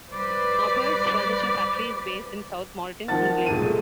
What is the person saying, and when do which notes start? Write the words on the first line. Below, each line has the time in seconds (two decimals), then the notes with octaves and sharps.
Norbord's furniture factory is based in South Molton, England.
0.13 G3 B4 C5 D5
3.08 D#3 F3 C4 F#5 A5 A6
3.46 E1 C3 D#7
3.60 F#3 G#3 A3